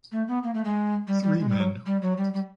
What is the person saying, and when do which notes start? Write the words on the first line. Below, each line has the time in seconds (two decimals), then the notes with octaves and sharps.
Three men.
0.12 A3
0.28 B3
0.43 A#3
0.54 A3
0.65 G#3
1.08 G3
1.22 G3
1.39 G#3
1.49 G3
1.60 F#3
1.86 G3
2.02 F#3
2.18 G3
2.34 G3